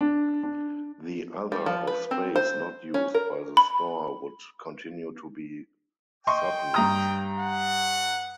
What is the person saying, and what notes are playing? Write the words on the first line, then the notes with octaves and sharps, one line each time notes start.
The other of space not used by the store would continue to be subleased.
D4
D4
G3
F3
B4
C4
C5
C#4
A#4
B5
D#5 G5 C6 C#6
G2 A#5 D#6
F#5